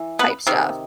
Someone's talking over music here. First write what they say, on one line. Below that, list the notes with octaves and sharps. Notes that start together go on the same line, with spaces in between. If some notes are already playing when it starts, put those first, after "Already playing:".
type stuff.
Already playing: E3
B3 B4
C3 D#3